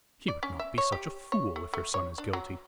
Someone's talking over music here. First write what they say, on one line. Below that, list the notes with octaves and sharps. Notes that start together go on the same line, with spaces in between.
"She would not be such a fool, if her son is guilty."
D5
C#4
E5
C#5
G4
C#5
A3
A3
C#5
D4
F#3